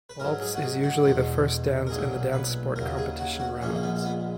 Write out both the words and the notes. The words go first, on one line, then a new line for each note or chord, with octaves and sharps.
Waltz is usually the first dance in the Dancesport competition rounds.
B4
G#2 F#3 A#4
G#4
F#4
G#4
F#4
E2 B2 G#3
A#4
B1 A#2 F#3 G#4
B4
D#2 C#3 F#3 A#4
G#4
F#4
F#4
A#1 A#2 G#3 C#4
A#3
B3
B3